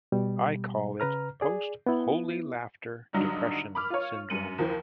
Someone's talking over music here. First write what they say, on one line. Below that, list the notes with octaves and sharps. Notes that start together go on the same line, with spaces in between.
I call it post-Holy Laughter depression syndrome.
B2 G3
C#3 B4 A#5 F6
G#4 D5
B3 E4
G2 D3 F#3 D4 D#4
B5 D6 F6
F4 C#5
F#2 C#7 D#7 F#7
F#1 D#2 E3 F3